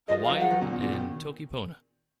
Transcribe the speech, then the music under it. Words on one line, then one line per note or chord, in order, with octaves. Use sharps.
Hawaiian and Toki Pona.
F3 G#3 D#5
F3 G#3
F5
D#3 F#3
F3 G#3 F#5
D#3 F#3
A#2 C#3
B2
A#2 C#3
B2 D#3